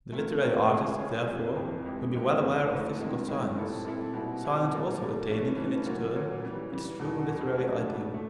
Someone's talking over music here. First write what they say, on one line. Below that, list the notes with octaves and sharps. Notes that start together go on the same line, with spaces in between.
The literary artist, therefore, will be well aware of physical science; science also attaining, in its turn, its true literary ideal.
A3 C4 F4 A#4
A3 C4 F4 A#4
G#3 C#4 F4 G#4
G#3 C#4 F4 G#4
F2 C3 E3
F2 C3 E3
E3 G#3 C4 E4 G4
E3 G#3 C4 E4 G4
E2 C#3 E3 A3
E2 C#3 E3 A3
G2 D#3 G#3 C4 E4
G2 D#3 G#3 C4 E4
A#2 G3 C4 E4 A4
A#2 G3 C4 E4 A4
B2 G3 C4 E4
B2 G3 C4 E4
A#2 G3 A#3
A#2 G3 A#3
G2 E3 A3 C#4
G2 E3 A3 C#4
A#2 F#3 A#3 C#4
A#2 F#3 A#3 C#4
C#3 E3 G3
C#3 E3 G3
E2 B2 G3
E2 B2 G3
C#3 F#3 A3 D4
C#3 F#3 A3 D4
A3